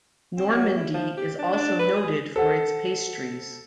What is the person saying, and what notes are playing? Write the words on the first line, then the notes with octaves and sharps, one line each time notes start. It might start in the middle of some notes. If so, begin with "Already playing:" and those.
Normandy is also noted for its pastries.
C4
F#3
E4
F3
G4
D4
D4
B4
G#4
A4 C5 F#5